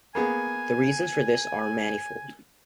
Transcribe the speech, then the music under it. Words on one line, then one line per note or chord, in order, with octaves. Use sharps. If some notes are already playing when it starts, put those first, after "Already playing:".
The reasons for this are manifold.
A#3 B3 G#4 G#5